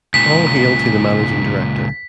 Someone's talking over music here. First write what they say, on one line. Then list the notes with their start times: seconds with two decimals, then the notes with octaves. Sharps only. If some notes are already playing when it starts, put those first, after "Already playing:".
All hail to the managing director!
0.14 C#2 A#2 B6